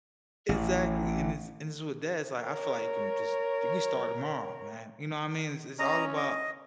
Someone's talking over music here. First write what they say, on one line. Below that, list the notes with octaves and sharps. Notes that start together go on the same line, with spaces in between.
Exactly, and this and this is what dad's like, I feel like you can just you can start tomorrow, man, you know what I mean? It's it's all about
A1
A#4 C#5
C#4 D#5 A#5
D#5